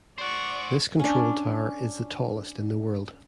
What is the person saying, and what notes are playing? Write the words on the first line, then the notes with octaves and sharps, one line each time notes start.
This control tower is the tallest in the world.
C5 D5 F#5 C#6
C#4 D4